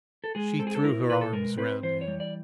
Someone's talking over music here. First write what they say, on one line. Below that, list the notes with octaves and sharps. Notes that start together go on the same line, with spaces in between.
She threw her arms round him.
A4
G#3 G#4
C4 A4
G#4
A4
E4 A#4
B2 B4
A4
G#3 A#4
C4 B4
E3 C5
C#5
G3
D5